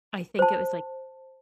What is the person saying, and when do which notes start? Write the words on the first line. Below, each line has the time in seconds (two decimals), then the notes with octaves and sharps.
I think it was, like
0.39 C5 A5